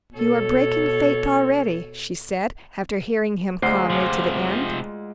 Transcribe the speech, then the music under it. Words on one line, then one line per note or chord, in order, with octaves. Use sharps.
"You are breaking faith already," she said, after hearing him calmly to the end.
B2 A4 C#5
D2 G#3 F4 C5
C3 F3